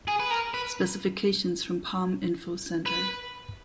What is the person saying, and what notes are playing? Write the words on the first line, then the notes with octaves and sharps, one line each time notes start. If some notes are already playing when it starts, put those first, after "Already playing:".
Specifications from Palm Info Center.
G#4
B4
A#4
B4
B4